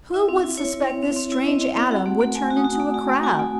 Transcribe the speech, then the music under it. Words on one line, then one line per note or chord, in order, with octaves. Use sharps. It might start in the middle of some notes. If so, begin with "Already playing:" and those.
Who would suspect this strange atom would turn into a Crab!
E4 E5
C4
E4
E4 C#5
E4
C4
C4
C4
E4
C4 D#5
C4
C4
F#4 F#5
A3
A3
A3 G#5
F#4
D#6
F#4
A3
F#4
A3
F#4 G#5
A3